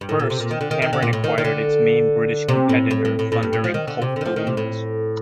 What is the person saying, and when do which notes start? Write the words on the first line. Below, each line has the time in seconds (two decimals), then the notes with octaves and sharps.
First, Cameron acquired its main British competitor Thunder and Colt Balloons.
0.01 G2
0.09 A2
0.19 A#2
0.30 C3
0.40 A#2
0.51 D#3
0.61 D3
0.71 D#3
0.82 D#3
0.93 D3
1.03 A#2
1.13 A2
1.24 D#3
1.38 D#3
1.44 D3
2.48 C3
2.69 A2
2.91 A2
3.05 A2
3.19 A2
3.32 A2
3.43 G2
3.53 A2
3.64 F3
3.74 D#3
3.88 D3
4.02 C3
4.16 D3 D#3
4.26 F3
4.36 D#3
4.47 C3
4.57 A2